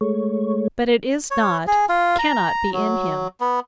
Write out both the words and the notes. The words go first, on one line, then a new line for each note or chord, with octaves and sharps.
But it is not, cannot be in him.
G#3 A3 C#5
C#5
G#4
F4
A#5
F#3
B3